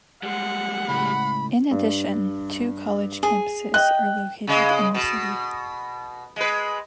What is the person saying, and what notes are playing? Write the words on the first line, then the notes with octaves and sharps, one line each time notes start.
In addition, two college campuses are located in the city.
G3 G#3 F#5
C#2 A2 B5
G2
G#4
D#5 G5 F#6
C#3 G#3
B2
G#3 B4